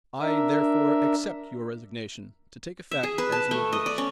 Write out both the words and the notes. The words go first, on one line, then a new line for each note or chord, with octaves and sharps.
I, therefore, accept your resignation, to take effect as you have wished.
D4 A#4 E5
E5
G#4
B4
A5
A3
D#5
D5
C#4